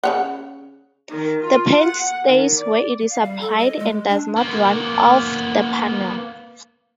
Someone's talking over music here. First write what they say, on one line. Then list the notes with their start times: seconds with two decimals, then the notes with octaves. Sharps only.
The paint stays where it is applied and does not run off the panel.
0.04 C#3 C#5 F#5
1.10 D#3
1.44 F4
1.81 F#5
2.28 D#3
2.59 D5
3.10 F5
3.23 G3
3.41 A4
3.58 D#5
3.79 G#3
4.08 D4
4.36 A#3 B3